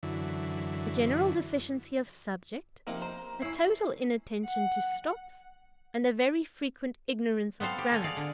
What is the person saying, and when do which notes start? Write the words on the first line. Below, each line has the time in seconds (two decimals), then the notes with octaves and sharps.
"A general deficiency of subject, a total inattention to stops, and a very frequent ignorance of grammar."
0.03 F#2 D3 E3
2.87 C3 F3 A#3 D#4
3.02 C5 A#5
3.42 C#4 E4 C7
4.45 F#5
7.60 B3 C4 A4 C5 F5
7.78 G4
7.92 A4 F5 G#5
8.04 G#4 D5 F5
8.17 D3